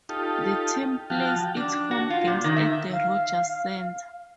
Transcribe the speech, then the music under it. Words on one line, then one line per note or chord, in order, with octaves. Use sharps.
The team plays its home games at the Rogers Centre.
D#4 F4 G4 A4
F3 F#4 F5 G5 A5
D4
F#4
F4
A#2
D#3
E5
F5